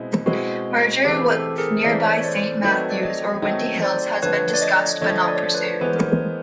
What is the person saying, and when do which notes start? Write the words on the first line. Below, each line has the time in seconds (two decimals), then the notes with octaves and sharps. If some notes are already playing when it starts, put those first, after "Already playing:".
Merger with nearby Saint Matthews or Windy Hills has been discussed but not pursued.
Already playing: B2 G#3 C4 E4
0.26 B2 G#3 C4 E4 F#4
1.05 C#3 E3 A3 C4 G4
1.31 G4 A4
1.58 G#4 A#4
1.84 C#3 E3 A3 C4 D5 E5
2.03 C#5 D#5
2.24 C5 D5
2.44 C5 D5
2.63 D#3 F#3 A3 C4 D#4 B4 C#5
2.77 C#5
2.90 D5
3.03 C#5 D#5
3.42 D#3 F#3 A3 C4 D#4 C#5 D#5
3.82 C5 D5
4.22 D3 F3 A3 B4 C#5
4.54 D5
4.62 C#5 D#5
5.01 D3 F3 A3 C#5 D#5
5.28 D5
5.36 C#5
5.43 C5 D5
5.54 B4 C#5
5.81 E3 G#3 B3 C5
5.89 C#5
5.96 A#4 C5